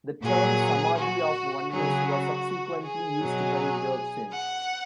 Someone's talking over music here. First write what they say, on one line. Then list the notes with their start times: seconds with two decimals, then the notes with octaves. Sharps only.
The term "Samadhi of Oneness" was subsequently used by Daoxin.
0.22 A#2 F#3 G#4
0.97 F#4
1.71 C#3 F#3 G#4
2.08 F#4
2.82 G#4
3.20 B2 F#3
4.32 F#5